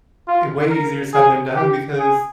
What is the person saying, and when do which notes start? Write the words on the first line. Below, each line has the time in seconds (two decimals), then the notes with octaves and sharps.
way easier said than done because,
0.28 F4
0.70 A#4
1.13 G#4
1.56 G4
1.99 G#4